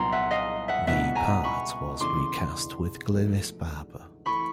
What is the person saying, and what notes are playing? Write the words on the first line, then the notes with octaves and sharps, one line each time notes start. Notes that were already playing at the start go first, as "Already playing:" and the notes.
The part was re-cast with Glynis Barber.
Already playing: C2 A#2 F#3 B3 D#4 A#5 C6
E5 F#5
D#5 F5
E5 F#5
C#2 B2 G3 B3 E4 E5 F#5
G#5 A#5
B5 C#6
E2 C#3 E3 A3 D4 C6 D6
G#2 F3 A3 D4 F#4
E3 A3 B5 C#6